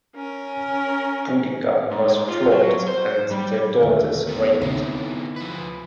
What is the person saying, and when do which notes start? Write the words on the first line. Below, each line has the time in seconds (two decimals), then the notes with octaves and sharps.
Boudica was flogged and their daughters raped.
0.15 C#4 A#4
1.91 G#2
2.28 F4
2.52 F#3
2.88 C5
3.31 G3
3.81 D#2 D3 A3 A#4
4.28 B3 G4 A4
4.62 D2 C3 B3 D#4 E4
5.36 F3 B4